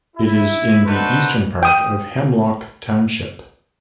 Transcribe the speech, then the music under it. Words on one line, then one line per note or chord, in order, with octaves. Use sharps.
It is in the eastern part of Hemlock Township.
E4
D4 D#4 F#4 A4 B4 C5
G5 D#6